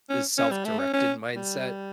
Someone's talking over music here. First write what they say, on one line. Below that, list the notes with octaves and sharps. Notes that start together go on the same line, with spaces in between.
the self-directed mindset,
C#4
C#4
G3
A3
C#4
C#4
G3